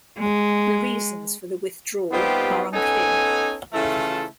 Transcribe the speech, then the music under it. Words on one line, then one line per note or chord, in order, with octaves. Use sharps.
The reasons for the withdrawal are unclear.
G#3
G3 B3 C4 D#4 F4 G4
B3 C#4 D#4 A4 G#5
C#3 E3 A3 E4 F4 A4